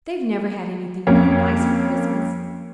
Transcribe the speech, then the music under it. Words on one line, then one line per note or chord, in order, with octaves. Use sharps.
They've never had anything really nice for Christmas.
F2 A#3 C#4